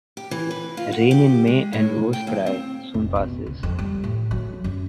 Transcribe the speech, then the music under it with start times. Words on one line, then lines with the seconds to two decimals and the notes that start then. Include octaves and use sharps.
Rain in May and whore’s cry, soon passes.
0.17 G4
0.31 E3
0.51 B4
0.77 F4
0.92 F#5
1.11 G4
1.47 G#3
1.73 A2
2.13 G5
2.27 D#2
2.46 C4
2.94 F1
3.16 B2
3.46 C#2
3.63 F2
3.79 G3
4.04 A2
4.31 F#3
4.64 F#2